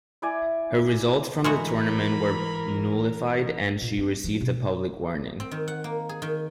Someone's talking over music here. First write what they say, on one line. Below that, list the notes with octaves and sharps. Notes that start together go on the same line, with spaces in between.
Her results from the tournament were nullified and she received a public warning.
E4 D5 G#5
G#2 E3 G#3 A3 F#4 A#4 B5
A#2
C4
F3 D4
B2
C4
D#3
F#5
A#3
G#4
D#3